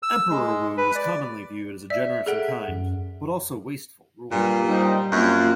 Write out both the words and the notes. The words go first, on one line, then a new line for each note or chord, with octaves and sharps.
Emperor Wu was commonly viewed as a generous and kind, but also wasteful, ruler.
E6
G#3
B4
D5
D5 E5
G#4 A4 F#5
F#2
G2 A#2 G3
G3 D#4 C5 G5
F#2 A#3 C4 D4 F4